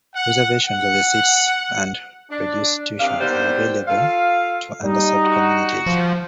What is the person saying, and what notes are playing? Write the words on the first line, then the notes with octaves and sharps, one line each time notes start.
Reservations of seats and reduced tuition are available to underserved communities.
F#5
F#5
D4
C3 D#3 D4 F5
D#2 G3 B3 C5 D5
F4 A4 F5
G3 D#4
F#4
F3